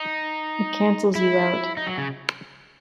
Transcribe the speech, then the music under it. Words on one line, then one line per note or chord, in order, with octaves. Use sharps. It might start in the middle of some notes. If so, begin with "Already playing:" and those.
It cancels you out.
Already playing: D#4
E4
D#4
F#3
C#3